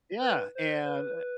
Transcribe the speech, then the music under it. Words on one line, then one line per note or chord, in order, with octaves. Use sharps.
Yeah, and
B4
C5
C5
B4